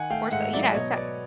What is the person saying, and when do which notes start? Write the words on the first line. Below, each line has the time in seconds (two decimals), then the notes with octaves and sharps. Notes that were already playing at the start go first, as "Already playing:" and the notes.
or so you know, s
Already playing: D#3 F#5 G#5
0.10 A3 F5 G5
0.31 G#2 E5 F#5
0.53 F#3 D5 E5
0.75 B2 C#5 D#5
0.96 B3 D5